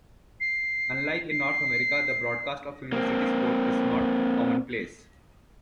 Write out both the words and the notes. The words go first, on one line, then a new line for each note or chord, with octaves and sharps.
Unlike in North America, the broadcast of university sport is not commonplace.
C7
C7
A#3 C4